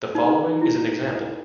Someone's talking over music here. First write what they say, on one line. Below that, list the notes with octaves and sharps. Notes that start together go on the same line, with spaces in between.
The following is an example.
D#4
E4